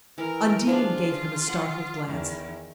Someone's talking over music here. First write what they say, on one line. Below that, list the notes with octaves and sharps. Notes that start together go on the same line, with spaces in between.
Undine gave him a startled glance.
E3 A#4
F3 D4 F4 G#4
D#5 F#5
E2 D#3